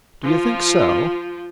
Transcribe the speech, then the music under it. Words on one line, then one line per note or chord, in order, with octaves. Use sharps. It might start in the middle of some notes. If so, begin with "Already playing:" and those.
"Do you think so?"
F3 F4